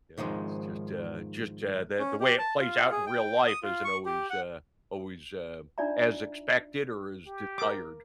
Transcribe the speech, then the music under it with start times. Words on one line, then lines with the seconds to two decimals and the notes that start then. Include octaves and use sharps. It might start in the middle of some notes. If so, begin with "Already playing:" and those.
Yeah, it's just, uh just, uh, the the way it plays out in real life isn't always, uh always, uh, as expected or as desired.
0.17 G#2 D#3 F3 G#3
1.99 C#4
2.20 G4
2.39 A5
2.60 F4
2.91 G#4
3.07 G5
3.47 D#6
3.63 F4
3.84 C#6
4.06 G4
4.30 F#5
5.78 D4 D#4 F4 D5 E5 A#5
7.27 G4
7.58 A#4 D6